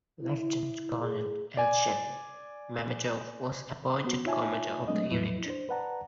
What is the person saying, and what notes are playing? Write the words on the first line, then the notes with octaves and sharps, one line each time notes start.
Lieutenant Colonel Elchin Mammadov was appointed commander of the unit.
E4
G#4
D5 G#5
B3 F#4
D#4 F4 C#5 E5 G#5 A5
F#3 G#3 A3 C4 D4 D#5
E2 A2 F3 F#3 E4 B4
D4 C5
B4 D5 F#5 A5 A#5